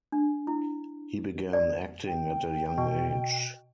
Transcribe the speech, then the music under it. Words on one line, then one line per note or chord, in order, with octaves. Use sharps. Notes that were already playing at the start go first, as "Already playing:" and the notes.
He began acting at a young age.
D4
E4
D5
G5
B2